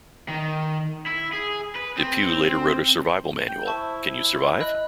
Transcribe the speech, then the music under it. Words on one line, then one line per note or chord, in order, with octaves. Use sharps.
DePugh later wrote a survival manual, Can You Survive?
D#3
E4
G#4
B4
C4
G5
E4 C5 A5 C#6
D#5 B5 F#6